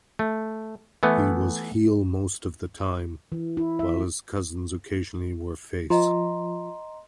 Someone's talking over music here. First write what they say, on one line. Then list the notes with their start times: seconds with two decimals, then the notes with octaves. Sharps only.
He was heel most of the time, while his cousins occasionally were face.
0.19 A3
1.03 E3 A3 B3
3.32 E3
3.57 E4
3.79 E5
5.90 F3 D#5 A#5 C6